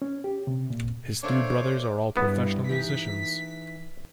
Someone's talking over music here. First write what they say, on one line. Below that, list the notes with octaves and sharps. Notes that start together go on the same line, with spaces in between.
His three brothers are all professional musicians.
C#4
G4
C3
A#2
A3 A#3 D4 C5 C#5 D6
G2 B3 E4 C#5
E3 D#4 G4 B6